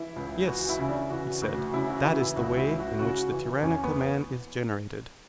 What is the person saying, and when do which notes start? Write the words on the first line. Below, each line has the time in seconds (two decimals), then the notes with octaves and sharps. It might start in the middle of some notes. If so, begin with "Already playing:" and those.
Yes, he said, that is the way in which the tyrannical man is generated.
Already playing: E3 E4
0.16 C#2
0.47 E3 F#4
0.69 E4
0.79 C#3
0.89 D4
1.10 E3 F#4
1.42 D2 F#4
1.73 C#3 E4
1.89 F#4
2.05 E3 E4
2.21 E4
2.36 C#2 F#4
2.57 E4
2.68 C#2
2.79 F#4
2.99 C#3 F#4
3.32 E3
3.62 E2 C#4
3.84 B3